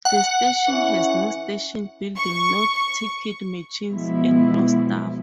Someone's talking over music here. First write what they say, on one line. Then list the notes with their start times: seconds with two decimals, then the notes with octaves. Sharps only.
The station has no station building, no ticket machines and no staff.
0.05 F#5
0.67 E3 C#4
2.16 C#6
2.73 C#6
3.90 B2 F3 G#3 B3 E4